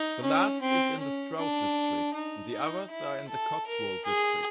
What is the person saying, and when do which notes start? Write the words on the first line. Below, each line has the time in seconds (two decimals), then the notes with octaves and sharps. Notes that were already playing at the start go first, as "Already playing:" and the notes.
The last is in the Stroud district; the others are in the Cotswold district.
Already playing: D#4
0.23 C#4
0.61 C4
1.00 C#4
1.38 D4
2.14 D#4
2.52 D#4
2.91 E4
3.29 A4
3.67 A#4
4.05 G#4